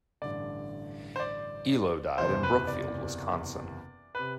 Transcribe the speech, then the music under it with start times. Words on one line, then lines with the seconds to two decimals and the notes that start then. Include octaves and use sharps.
Elo died in Brookfield, Wisconsin.
0.22 A1 G2 D3 D5
1.16 C5
1.20 D5
2.18 F#1 E2 C3 E3 C5
2.43 B4
2.67 D5
4.15 C3 B4